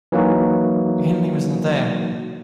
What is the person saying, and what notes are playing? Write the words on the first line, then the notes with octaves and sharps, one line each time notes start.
Hindley was not there.
E3 F#3 A#3 D#4 F#4